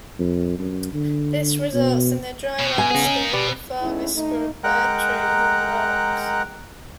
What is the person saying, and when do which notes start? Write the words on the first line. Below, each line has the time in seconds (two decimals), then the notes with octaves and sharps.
This results in a dry landscape of thorny scrub, bare trees and rocks.
0.19 F2
0.59 F#2
0.93 D3
1.74 B2
2.59 B2
2.78 G#5
2.90 C#3 B3 D#4 G#4
3.05 C#4
3.33 B2 G4 B4 D5
3.82 E2 G#3 A3 C#4 D#4 E4
4.16 A3 D#4
4.64 G#3 A#4 F#5 G5 A#5 F#6